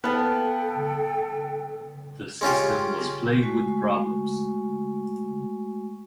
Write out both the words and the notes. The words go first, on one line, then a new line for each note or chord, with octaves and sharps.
The system was plagued with problems.
B3 A4 B4 F5 G5 A5
G#3 C#4 F4 G4
G#3 A3 F#4 G#5 C#6